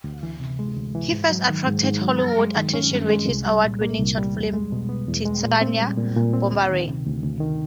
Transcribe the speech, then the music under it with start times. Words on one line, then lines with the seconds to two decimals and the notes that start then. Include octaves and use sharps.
He first attracted Hollywood's attention with his award-winning short film "Titsiana Booberini".
0.04 D2
0.23 E3
0.40 C3
0.59 G#3
0.76 D2
0.95 E3
1.12 G#2
1.30 F#3
1.49 D#3
1.66 G#2
1.84 G#2
2.02 F#3
2.20 G2
2.39 G#3
2.56 D#3
2.74 C#4
2.92 G2
3.10 G#3
3.28 C2
3.46 G3
3.64 A#2
3.81 A#3
4.00 C2
4.18 G3
4.35 E2
4.53 G#3
4.72 B2
4.89 B3
5.08 E2
5.25 G#3
5.43 A#2
5.61 C4
5.80 G3
5.97 A#2
6.16 A#2
6.33 C4
6.52 D2
6.69 D#3
6.88 C3
7.06 D2
7.23 D2
7.40 D#3